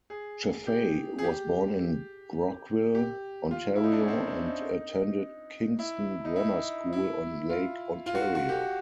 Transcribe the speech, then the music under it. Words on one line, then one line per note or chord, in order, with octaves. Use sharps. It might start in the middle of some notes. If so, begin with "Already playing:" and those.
Chaffey was born in Brockville, Ontario and attended Kingston Grammar School on Lake Ontario.
G#4
G4
G#4
G4
G4
F4
E4
D#4
D4
C#4
C4
D4
D#4
E4
D#4
E4
E4
F4
F4
F#4
F4
F#4
G4